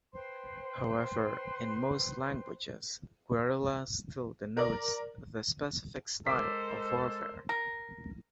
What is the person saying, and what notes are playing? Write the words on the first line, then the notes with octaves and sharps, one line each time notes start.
However, in most languages "guerrilla" still denotes the specific style of warfare.
B4 C5 G5 C6
A#4 D5
G#3 A4 A#4 C5 D6 B6
A#4